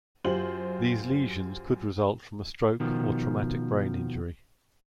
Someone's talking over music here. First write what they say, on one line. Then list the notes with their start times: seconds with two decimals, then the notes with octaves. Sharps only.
These lesions could result from a stroke or traumatic brain injury.
0.24 F#2 F4 G4 C5 F#7
2.80 B2 D#3 F3